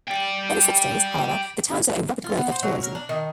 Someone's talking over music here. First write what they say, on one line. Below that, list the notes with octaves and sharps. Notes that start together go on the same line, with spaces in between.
In the sixties, however the town saw a rapid growth of tourism.
D5 G5
F4
B3
C5
F#3
A#4
D4
D#3